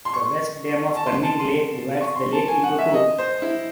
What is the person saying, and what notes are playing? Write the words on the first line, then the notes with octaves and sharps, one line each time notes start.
The West Dam of Kunming Lake divides the lake into two.
C6
C#6
A5
C6
A5
C6
C#6
C6
A5
G#5
F#5
E5
D#5
C5
E4